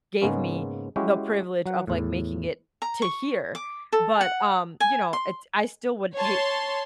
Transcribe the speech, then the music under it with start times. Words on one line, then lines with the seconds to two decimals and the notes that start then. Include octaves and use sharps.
gave me the privilege of, like, making it to here, but, um, you know, it's I still would hate
0.22 G#2 C#3 G#3 A#3 B3 C#4
0.96 G#3 C#4 E4 F#4 G4
1.66 F#3 F#5
1.87 E2 A2
2.82 A#5
3.02 C#6
3.55 D6
3.92 A4
4.21 F#5
4.80 G#5
5.13 C6
6.14 C#5 A5 C6